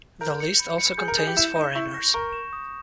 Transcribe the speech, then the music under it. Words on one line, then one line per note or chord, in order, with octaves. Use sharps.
The list also contains foreigners.
A#4 G6
C#7
B5
C#7
G#4 G6
A#4
G#4 G6
G4
E4 E7
D#4 G6
E4 C#6
A#6
A#4 C#6
E7
D#6